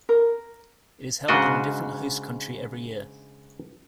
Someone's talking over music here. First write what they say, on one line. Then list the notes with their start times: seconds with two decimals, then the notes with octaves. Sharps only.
It is held in a different host country every year.
0.09 A#4
1.28 G#2 C#3 D4 F#4 D#5